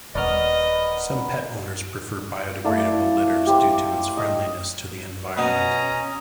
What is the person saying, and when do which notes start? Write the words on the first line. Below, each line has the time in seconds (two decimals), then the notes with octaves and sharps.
Some pet owners prefer biodegradable litters due to its friendliness to the environment.
0.15 D#1 B3 A#4 B4 D5 D#5 C#6 F6
2.65 A3 E4 D5 F5
3.47 G4 C5
4.17 D#5
5.38 B2 B3 C#4 A#5 D#6